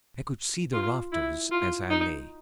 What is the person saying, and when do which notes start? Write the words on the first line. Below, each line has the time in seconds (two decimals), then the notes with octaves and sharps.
I could see the rafters as I lay.
0.73 F4
1.12 E4
1.51 F4
1.90 D#4